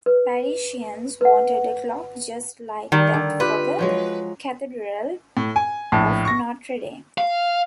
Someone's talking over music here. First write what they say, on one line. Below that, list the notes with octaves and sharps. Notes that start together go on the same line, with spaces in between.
Parisians wanted a clock just like that for the Cathedral of Notre Dame.
B4
B4 F#5
D#3 G3
D3
F4 G4 B4
F3 F#3 G#3
A2
G#5
A#1 A2 A5
C#6 A#6
F5